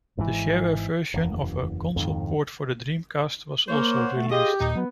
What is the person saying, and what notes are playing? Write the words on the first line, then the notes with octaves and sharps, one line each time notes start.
The shareware version of a console port for the Dreamcast was also released.
G#1 G#2 C3 E3
F#1 E2
D1 F2 G#2 D#3
A#3 C5 C#5
F#5
A3
F4 G4 G#4 D#5
D#2 A#2 D#4
F#3 B3